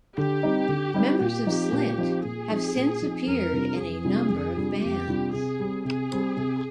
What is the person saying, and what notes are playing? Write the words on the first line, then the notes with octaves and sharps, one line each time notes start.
Members of Slint have since appeared in a number of bands.
D3 G4
G3 C4 D#4
D3
G3 C4 D#4
A#2 G4
F3 C4 D#4
A#2
F3 C4 D#4
A#2 G#4
F3 C4 D#4
A#2
F3 C4 D#4
F2 A#4
C3 G3 D4 F4
F2 G#4
C3 G3 D4 F4
F2
C3 G3 D4 F4
F2 G4
C3 G3 D4 F4
C3 G#4
G3 C4
C3 G#4
G3 C4
C3